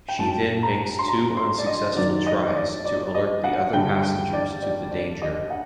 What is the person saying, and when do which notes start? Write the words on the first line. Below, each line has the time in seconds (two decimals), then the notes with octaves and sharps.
She then makes two unsuccessful tries to alert the other passengers to the danger.
0.08 G5
0.19 F#2 F#3 A5
0.63 A#5
0.99 C6
1.08 A#5
1.37 C6
1.58 D5
1.66 D#5
1.96 F#2 D#3 F#3 D5
2.26 D#5
2.55 D5
2.85 D5
3.15 D#5
3.44 F#5
3.73 G2 D3 G3 G5
4.03 G5
4.33 D5
4.62 D5
4.91 D5
5.22 D#5
5.50 F#5